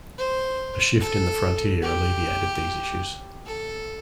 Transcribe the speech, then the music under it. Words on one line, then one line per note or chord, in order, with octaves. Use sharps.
A shift in the frontier alleviated these issues.
C5
A4
G4
A4